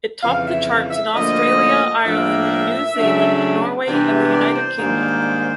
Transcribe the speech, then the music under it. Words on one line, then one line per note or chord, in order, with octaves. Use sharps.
It topped the charts in Australia, Ireland, New Zealand, Norway, and the United Kingdom.
F2 C#3 E3 F5
F5
E5
F5
E5
D2 D3 F3 A#3 D#5
A2 F3 A#3 D4 E5
C#3 F#3 A3 D4
C3 E3 G3 B3 D4
E5
D5
C5
G#2 D#3 G3 A#3 D4